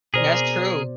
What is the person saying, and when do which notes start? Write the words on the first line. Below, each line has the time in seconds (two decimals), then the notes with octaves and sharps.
That's true.
0.14 B2 G#4 A#4 C5 D5